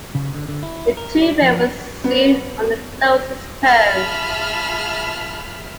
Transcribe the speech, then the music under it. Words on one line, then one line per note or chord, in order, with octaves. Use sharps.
The two men were soon on the closest terms.
C#3
D3
D3
E4
A#4
D5
F3
B3
F4 G#4 E5 A5 B5 F6